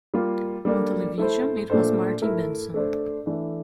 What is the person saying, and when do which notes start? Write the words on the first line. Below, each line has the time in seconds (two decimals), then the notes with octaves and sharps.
On television, it was Martin Benson.
0.14 G3 A#3 F4
0.65 G3 A#3 D4 A4
1.18 A3 E4 A4 C5
1.70 A#2 A3 D4 A4 C5
2.22 A3 E4 A#4
2.74 A3 D4 A4 C5
3.26 E3 A3 D4